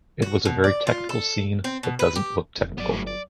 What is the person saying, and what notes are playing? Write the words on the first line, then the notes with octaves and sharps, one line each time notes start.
It was a very technical scene that doesn't look technical.
F#4
B2
D5
F4
A4
C4
B2
B4
G4
F1 E4
G1 F#3 B3 D5
A2 G3
D5